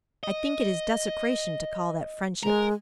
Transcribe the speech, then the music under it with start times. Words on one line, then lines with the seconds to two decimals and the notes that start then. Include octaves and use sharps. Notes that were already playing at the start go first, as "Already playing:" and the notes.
I think it is desecration to call that friendship.
0.23 D#5
2.43 G#3 A#4